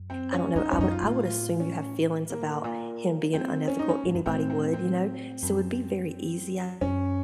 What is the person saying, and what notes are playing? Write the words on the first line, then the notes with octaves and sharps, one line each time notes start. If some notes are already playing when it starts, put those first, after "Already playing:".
I don't know, I would I would assume you have feelings about him being unethical, anybody would, you know, so it'd be very easy, I
Already playing: F#2
C4
C#4
F2 D#4
F2 C#4
F#2 D#4
F4
A2
F4
C#4
A#3
A#2
C4
C#4
D#4
C#4
A2
F#2
A2 C4
C4
C4
F#2
F#2 C#4